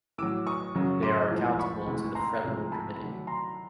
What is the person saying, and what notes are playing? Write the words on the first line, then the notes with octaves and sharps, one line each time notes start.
They are accountable to the Federal Committee.
A2 F#3 D6 E6
C#6 D#6
F#2 C#3 F#3
C6 D6
A2 F3 G#3
B5 C#6
D2 C3 E3 G#3
A#5 C6
D2 C3 F3 G#3
A5 B5
D2 C3 D#3 F#3
A#5 C6